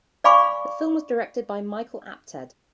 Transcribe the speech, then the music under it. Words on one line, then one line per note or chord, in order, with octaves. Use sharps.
The film was directed by Michael Apted.
D5 F5 G#5 B5 C#6 D6